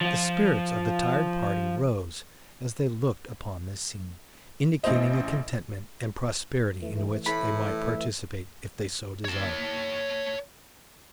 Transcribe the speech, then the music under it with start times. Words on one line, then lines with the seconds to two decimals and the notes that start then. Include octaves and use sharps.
The spirits of the tired party rose as they looked upon this scene, indicating a contentment and prosperity in which they might participate if they so desired.
0.01 F3 F4
4.83 A1 A2 E4 C5 D#5
6.82 E3 A3
7.26 A2 E5 B5
9.25 C#5 A5